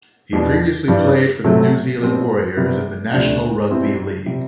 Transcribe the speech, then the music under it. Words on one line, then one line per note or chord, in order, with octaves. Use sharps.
He previously played for the New Zealand Warriors in the National Rugby League.
E2 B2 G3 D4
G2 E3 G3 D4
C3 F#3 A3
B2 G3 C4
C3 G3 B3
D2 C3 G3 D4
B2 G3 C4 E4
C3 G3